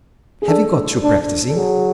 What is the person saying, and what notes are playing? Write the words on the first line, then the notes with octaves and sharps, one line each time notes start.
Have you got through practising?
G#4
D4 A4
D4
A4
F#3 G#4